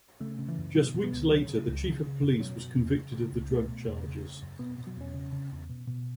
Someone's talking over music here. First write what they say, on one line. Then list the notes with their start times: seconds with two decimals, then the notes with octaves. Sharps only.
Just weeks later the chief of police was convicted of the drug charges.
0.20 C#3 A3
0.39 C#3
0.48 E3
0.58 F#2
0.75 B2 F#3
0.94 B2
1.04 B3
1.12 C#2
1.31 C#3 F#3
1.48 C#3
1.67 C#2
1.86 C#3
2.04 C#3
2.23 F#2
2.40 B2 F#3
2.58 B2
2.77 E2
2.96 C#3
3.14 C#3
3.32 C#2
3.49 B2 A3
3.68 B2
3.87 E2
4.05 C#3
4.24 C#3
4.42 F#2
4.59 B2 B3
4.78 B2
4.87 F#3
4.97 E2 C#4
5.14 C#3
5.32 C#3
5.52 E2
5.69 B2
5.87 B2